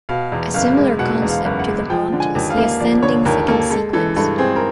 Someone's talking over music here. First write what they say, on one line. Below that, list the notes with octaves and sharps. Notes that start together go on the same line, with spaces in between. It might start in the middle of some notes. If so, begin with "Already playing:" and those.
A similar concept to the Monte is the ascending second sequence.
B2 F5
E2
F#1 F5
G#3
B2 F#5
E2
F5
F#1
F#5
G#3
F3 G5
D3
G#5
D#2
F5
A#3
F3 D5
D3 C#5
D#2 A#4
A#3 A4
G#3 A4
E3 A4
G2 A4
C4 G#4
A#4